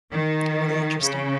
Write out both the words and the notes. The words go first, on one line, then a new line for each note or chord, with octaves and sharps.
really interesting.
D#3
C#3